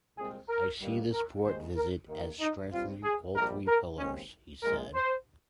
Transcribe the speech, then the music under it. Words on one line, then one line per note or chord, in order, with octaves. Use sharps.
"I see this port visit as strengthening all three pillars," he said.
C2 A#2 G#3 C4 G#4
A#4
G2 D#3 G3 A#3
A#4
D#2 D#3 G#3 C5
A#4
D#2 D#3 A#3
D#4
G2 G3 C4 F4
G#4
A#1 G#2 G3 A#4
A#4
D#2 C#3 G#3 C4 C#4
A#1 A#2 G#3 A#4
C5